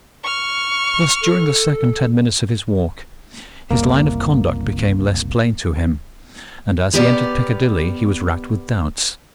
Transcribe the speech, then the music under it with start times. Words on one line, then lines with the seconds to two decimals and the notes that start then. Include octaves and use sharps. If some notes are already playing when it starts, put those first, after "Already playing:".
Thus during the second ten minutes of his walk, his line of conduct became less plain to him, and as he entered Piccadilly he was racked with doubts.
0.24 C#6 F6
1.21 A4
3.71 F#1 C2 A#3
6.93 B3 G4 A#4 D5